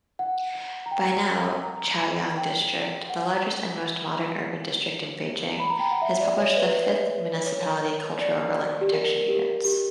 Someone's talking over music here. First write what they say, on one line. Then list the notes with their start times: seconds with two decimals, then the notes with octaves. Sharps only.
By now, Chaoyang District, the largest and the most modern urban district in Beijing, has published the fifth Municipality Cultural Relic Protection Units.
0.19 F#5
0.55 F#5
0.86 A#5
0.91 G5
1.64 A#5
2.37 G5
3.10 F#5
5.60 B5
5.70 A#5
5.79 G5
5.91 F#5
6.02 E5
6.20 D5
6.38 C#5
6.56 B4
7.46 C#5
8.20 D5
8.81 G4
8.92 A#4
9.28 G4
9.65 G4